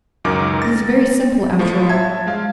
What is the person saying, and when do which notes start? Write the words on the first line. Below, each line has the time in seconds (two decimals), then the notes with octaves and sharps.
It is very simple, after all.
0.24 C#2 F#2 D#3 A#4 D6
0.62 A6 A#6
1.59 A2 F3
1.89 E5 A5 G#6
2.27 G#3 F5